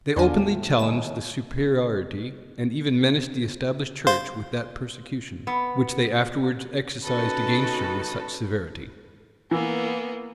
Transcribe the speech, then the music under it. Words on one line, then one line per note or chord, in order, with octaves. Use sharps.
They openly challenged the superiority, and even menaced the established church with that persecution which they afterwards exercised against her with such severity.
E2 D3 D4 F4 G#5
A2
D#2 A2 G#5 E7
C5 F5 C6
B3
C#4 D#4 F#4 A4 B4
E3 A#3 B3